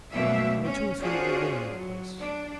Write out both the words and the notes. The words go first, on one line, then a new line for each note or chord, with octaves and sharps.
There were two or three old women in the place.
F#2 B2 G3 A3 A#3 E5
C#4
C#4 D4 F4 F#4 G#4 C5
F#3
D4